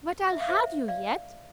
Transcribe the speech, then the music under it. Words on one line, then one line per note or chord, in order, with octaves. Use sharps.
'But I'll have you yet.
E5
F5
C5 E5
D5 F5